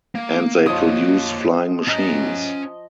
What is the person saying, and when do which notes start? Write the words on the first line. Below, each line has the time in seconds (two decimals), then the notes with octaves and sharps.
And they produced flying machines.
0.15 A#3
0.66 F3 A#3 C#5 D#5 D#6
1.88 C#4 D#5 A#5